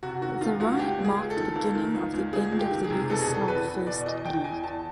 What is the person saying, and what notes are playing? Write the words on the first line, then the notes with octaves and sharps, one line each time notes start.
The riot marked the beginning of the end for the Yugoslav First League.
C3 F#4
D#3 F#4
D#3 F4
C#2 F#4
C#2 G4
C#2
G#4
C#2
A4
D#3
C#2
D#3
C#2
C#2
C#2 G#4
C#2
G4
D#3
G#4
C3
B2 A4
G#4
E2
A4
E2 B4
E2
B2 D5
E2 D#5
E2 G5
E2 G#5
E2 A5